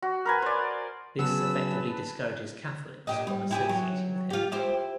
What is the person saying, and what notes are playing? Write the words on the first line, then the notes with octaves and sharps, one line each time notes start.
This effectively discourages Catholics from associating with him.
F#4
A#4 B4 G#5
C5 D5
C#3 F#3 B3 G#4 B4 A5 E6
A#2 G4 D#5
G3
E4 G4 G#4
F#3
F4 G4
E4 G4 C5